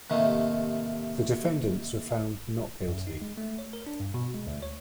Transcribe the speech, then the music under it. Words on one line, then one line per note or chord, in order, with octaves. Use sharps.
The defendants were found not guilty.
D#2 A2 C3 D#3 A3
F#2
D#4
G#3
A3
C#5
A#4
D4
G2
B2
G#3
D2
C#5